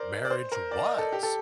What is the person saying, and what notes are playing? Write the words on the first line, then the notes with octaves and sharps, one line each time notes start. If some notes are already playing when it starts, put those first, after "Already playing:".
marriage was,
Already playing: A#4 C5 D5
D5
C5
A#4
D5
D#5
A4
G4
A4